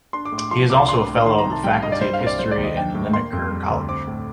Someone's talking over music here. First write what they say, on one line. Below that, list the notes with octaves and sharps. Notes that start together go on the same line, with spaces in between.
He is also a fellow of the Faculty of History and Linacre College.
D4 C6
D6
A2
D6
F3 C6
C2 D6
D4 C6
A2
D#3 C6
A#5
C2
A5
G3 G5
F5
G2 D#5
D5
G3 C5
F5
C2
D5
G3 C5
D5
D#2
D#5
D4 G5
A2
A#3 C6
F2
G3
D2
C4 D6
A2